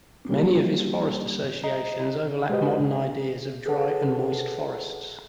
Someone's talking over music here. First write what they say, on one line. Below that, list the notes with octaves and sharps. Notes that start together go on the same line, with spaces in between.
Many of his forest associations overlap modern ideas of dry and moist forests.
G3 A#3 C#4 D4 G4
D#5 A#5
G#3 F#4 G4 B4 C5 D#5
G#4 A4 B4 C#5 F#5 A5